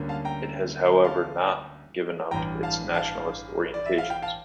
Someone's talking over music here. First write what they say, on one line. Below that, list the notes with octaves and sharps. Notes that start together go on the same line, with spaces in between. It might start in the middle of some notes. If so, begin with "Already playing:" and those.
It has however not given up its nationalist orientations.
Already playing: D2 D3 G3 A#3 C#4
F5 A5
G5 A#5
F5 A5
A1 G2 E3 G5 A#5
F5 A5
F5 A5
D5
E5
F5
G5
F5 A5